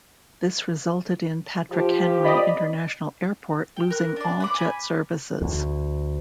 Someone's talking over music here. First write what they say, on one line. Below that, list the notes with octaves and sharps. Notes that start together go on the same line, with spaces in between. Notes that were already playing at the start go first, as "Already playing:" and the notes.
This resulted in Patrick Henry International Airport losing all jet services.
F3 G4
D5 D#5 B5
G5
A#4 F#6
D4 D5
F#5 B5 D6
G#5 A5 B5
D2